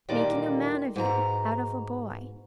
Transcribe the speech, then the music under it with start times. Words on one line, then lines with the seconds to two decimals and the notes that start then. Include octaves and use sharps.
Making a man of you, out of a boy.
0.09 D#2 A#2 D3 G3 D#4 D5
0.96 G#2 B2 G#5 A#5